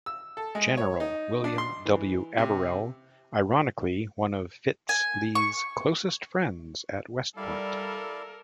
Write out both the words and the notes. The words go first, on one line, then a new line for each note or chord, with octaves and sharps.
General William W. Averell, ironically one of Fitz Lee's closest friends at West Point.
E6
A4
G#3
C#5
D#4
D4
C6
E3
C3
G#5
C#6
G3 E4 A4 A#4 D5 F5